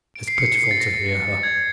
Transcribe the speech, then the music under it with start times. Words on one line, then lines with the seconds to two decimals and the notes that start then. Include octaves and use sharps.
It is pitiful to hear her.
0.16 D7
0.28 C7
0.37 C#7
0.51 C#7
0.58 C7
0.71 A6
0.80 A#6
1.43 G#6